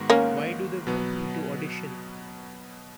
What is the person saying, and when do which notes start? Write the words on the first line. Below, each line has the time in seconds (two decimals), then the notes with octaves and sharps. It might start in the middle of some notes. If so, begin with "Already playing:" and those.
Why do they want me to audition?
Already playing: G#2 D#3 G#3 B3 F#4
0.10 A#3 C#4
0.87 B2 F#3 B3